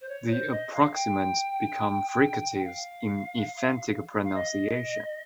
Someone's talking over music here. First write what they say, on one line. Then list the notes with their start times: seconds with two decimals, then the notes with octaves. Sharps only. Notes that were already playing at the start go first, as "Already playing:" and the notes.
The approximants become fricatives in emphatic pronunciation.
0.01 C5
0.08 C#5
0.30 C5
0.51 D#5
0.72 F5
0.94 G5
2.54 G5
2.64 F5
4.24 F5
4.34 D#5